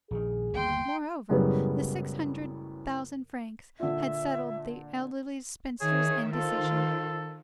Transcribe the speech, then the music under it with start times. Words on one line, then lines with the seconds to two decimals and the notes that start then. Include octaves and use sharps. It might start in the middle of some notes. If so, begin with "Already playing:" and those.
Moreover, the six hundred thousand francs had settled the elderly spinster's indecision.
0.11 A#1 D3 D#3 G#4
0.53 G1 D#2 A#3 G5 C6
1.29 F#2 A2 C#3 G3 G#3 B3
3.80 A#2 D3 E5
5.81 D#3 G#4 C#5 E5
6.33 F4 A4 C5